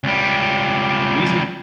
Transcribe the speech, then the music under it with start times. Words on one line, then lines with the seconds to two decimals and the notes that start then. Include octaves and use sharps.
Take it easy,
0.04 C#2 G3